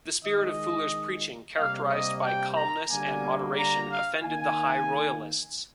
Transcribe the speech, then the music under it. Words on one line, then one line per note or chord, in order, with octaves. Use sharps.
The spirit of Fuller's preaching, characterized by calmness and moderation, offended the high royalists.
D#3 G#3 D#5
C3 G3 A#3 F5
D#5
G5
A#5
D3 G3 A#3 G#5
A#5
F5
D#3 A#3 G#5